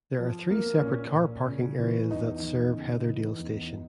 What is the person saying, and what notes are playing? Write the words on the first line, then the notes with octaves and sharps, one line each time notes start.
There are three separate car parking areas that serve Heatherdale station.
F3
A#3
A#2 C#4
A#2
C#3
E3
E2 D#4
E2
C#3
E3
E2